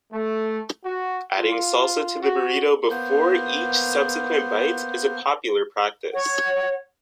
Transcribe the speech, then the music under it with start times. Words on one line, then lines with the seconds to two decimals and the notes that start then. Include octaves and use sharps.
Adding salsa to the burrito before each subsequent bite is a popular practice.
0.12 A3
0.85 F#4
1.37 F4
2.22 F#4
2.90 A#3 B3 C5
6.13 C#5 F#5